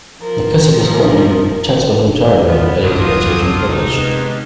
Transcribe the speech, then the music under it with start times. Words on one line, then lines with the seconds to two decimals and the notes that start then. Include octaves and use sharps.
McKessock was born in Chatsworth, Ontario and educated at Georgian College.
0.21 F3 A#4
2.48 G1 C2 B3 F4
2.84 F#3 D4 D#4 F4 F5 D#6
3.68 C3 D#3 G#3 D#4
3.98 B3 C#4 D4